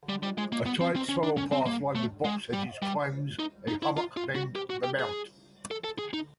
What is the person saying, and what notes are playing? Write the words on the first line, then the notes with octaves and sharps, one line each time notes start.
A tight spiral path lined with box hedges climbs a hummock named "The Mount".
G3
G3
G#3
A#3
B3
C4
C4
C#4
D4
C#4
C4
A#3
A3
G#3
G3
G3
D#4
D#4
E4
F4
F4
F#4
G4
F#4
G4
G#4
A4
A4
G#4
D#4